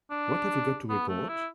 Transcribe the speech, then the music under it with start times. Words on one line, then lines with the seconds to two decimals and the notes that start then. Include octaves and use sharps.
What have you got to report?
0.11 D4
0.89 B3
1.09 A3
1.29 E4